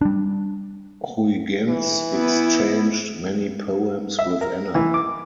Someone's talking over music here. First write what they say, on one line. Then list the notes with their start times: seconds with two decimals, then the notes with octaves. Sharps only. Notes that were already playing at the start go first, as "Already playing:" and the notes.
Huygens exchanged many poems with Anna.
0.01 G3 D4
1.68 E3
2.15 B3 E4
4.19 E5
4.41 A#4
4.75 E3
4.94 D6